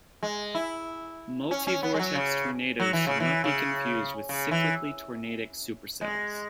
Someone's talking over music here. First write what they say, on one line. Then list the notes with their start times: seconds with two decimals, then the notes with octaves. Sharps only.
Multivortex tornadoes should not be confused with cyclically tornadic supercells.
0.23 G#3
0.55 E4
1.51 C#4
1.67 C#4
1.83 B3
1.94 G#3
1.99 F#3
2.15 C#3
2.80 F#3
2.93 E3
3.07 C#3
3.20 E3
3.44 C#3
4.29 C#3
4.51 E3
6.01 G#3